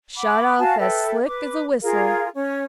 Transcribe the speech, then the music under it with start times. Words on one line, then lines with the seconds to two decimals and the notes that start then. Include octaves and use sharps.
Shot off as slick as a whistle.
0.17 F#5 B5 D6
0.59 F#4 F5 G#5 A5
0.79 A4 B4 E5 G5
1.27 B4 D6
1.82 F4 G#4 A#4 F5
2.33 C#4